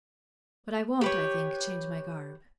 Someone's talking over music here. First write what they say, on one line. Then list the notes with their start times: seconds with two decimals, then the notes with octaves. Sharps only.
But I won't, I think, change my garb.
1.01 G4 B4 C#5